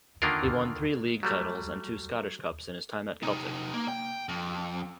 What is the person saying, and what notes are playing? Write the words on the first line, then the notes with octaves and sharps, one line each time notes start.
He won three League titles and two Scottish Cups in his time at Celtic.
D3 D#3 A#3 D4 F4 A#4
F#3 G3 A3
C3 D#4
A#3
G5
F2